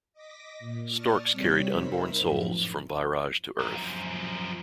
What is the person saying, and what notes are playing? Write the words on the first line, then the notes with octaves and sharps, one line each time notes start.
Storks carried unborn souls from Vyraj to Earth.
D#5 D6 A#6 B6
A#2
D5 A5 C#6 D#6 F6 A6
C3 G3 C4 C#5 B6
D#4 A#4 C5 E5 B5
F#2 A2 F3
F#2 F3